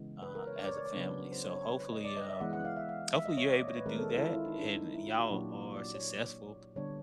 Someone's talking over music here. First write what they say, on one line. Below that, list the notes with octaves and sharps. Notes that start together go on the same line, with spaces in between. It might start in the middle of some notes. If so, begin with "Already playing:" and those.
uh, as a family, so hopefully, um hopefully you're able to do that, and y'all are successful,
Already playing: C#3 E3 G#3 B3
B4
A#4
C#5
D5
C#5
D5
C#5
C#3 F#3 B3 D4 B4
C5
C#5
C#5
B4
C#5
D#5
D5
D#5
E5
E3 G#3 B3 F#5
F#5
F5
E5
F5
E5
D#5
C#5
D5
D#5
C#5
B4
D#3 G#3 C4 A#4
A4
A4
E4
F4
E4
D#4
D4
D#4
E4
F4
F#4
A#2 F#3 A#3 D4 G4
D5
C#5
D3 G3 B3 D4 C#5